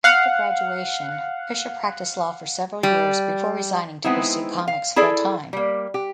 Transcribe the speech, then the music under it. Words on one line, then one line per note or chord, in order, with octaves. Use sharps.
After graduation, Fisher practiced law for several years before resigning to pursue comics full-time.
F5 F#5
G3
G#3 B3 C4 D#4 E4
F5
E4 G#4 A4 D5
G3 A#3
G4